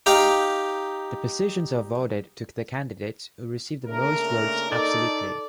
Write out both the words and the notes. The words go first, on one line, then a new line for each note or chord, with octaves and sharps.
The positions are awarded to the candidates who receive the most votes absolutely.
D#4 G4 F5
C#3 A3 A#3 D4 A#4
D#4 A4 D5